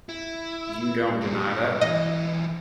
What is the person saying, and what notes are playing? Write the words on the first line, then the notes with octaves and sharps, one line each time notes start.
You don't deny that.
E4
G2 A#2
B1 E3 D#5